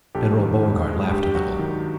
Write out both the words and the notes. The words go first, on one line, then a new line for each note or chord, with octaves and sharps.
General Beauregard laughed a little.
A#1 G4 A4
D#3
G#2
G#3
G2 G4
G4
F#3 F#4
D#3